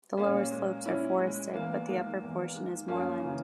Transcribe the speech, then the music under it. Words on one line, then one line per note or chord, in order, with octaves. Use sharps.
The lower slopes are forested, but the upper portion is moorland.
A#2 A#3 C#4
G#3
A#2 C#4 E4
G#3
E2 A#3
D#3 G#3 A#3
E2
D#3 G#3
F#2 A#3 C#4
C#3 E3